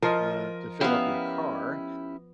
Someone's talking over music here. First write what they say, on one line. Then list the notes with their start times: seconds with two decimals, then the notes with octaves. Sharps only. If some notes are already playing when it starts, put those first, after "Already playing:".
uh, to fill up your car,
0.02 F3 F4 A#4 D#5
0.81 B3 C#4 E4 G4 F5